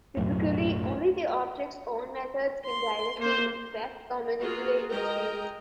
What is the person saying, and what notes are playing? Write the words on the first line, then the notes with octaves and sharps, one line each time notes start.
Typically, only the object's own methods can directly inspect or manipulate its fields.
B1 F#2 A2
C6
A#3 C5
A#3 F4 F#4 G#4
G#3 A#4 D#5 G5 A#5